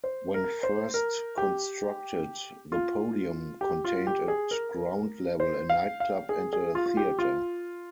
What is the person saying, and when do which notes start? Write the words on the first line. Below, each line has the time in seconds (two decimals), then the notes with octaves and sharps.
When first constructed, the Podium contained at ground level a nightclub and a theatre.
0.04 C5
0.34 A#4
0.63 C5
0.94 A#4
1.38 G4
2.72 F4
3.61 G4
3.84 F4
4.07 G4
4.28 G#4
4.51 A#4
5.40 C5
5.70 F5
6.00 F5
6.29 G#4
6.53 G#4
6.75 F4
6.86 F4
6.97 G4
7.19 F4